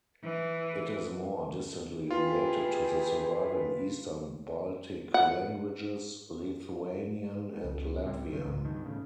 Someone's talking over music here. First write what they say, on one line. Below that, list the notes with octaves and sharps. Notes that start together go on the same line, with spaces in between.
It is more distantly related to the surviving Eastern Baltic languages, Lithuanian and Latvian.
E3
E4 F4 G4 G#4 B4
F#5
C#2
C#2 A2 G3 C4
G1 D#3
D1 C#2 G#2
G2 D#3
A2 C#3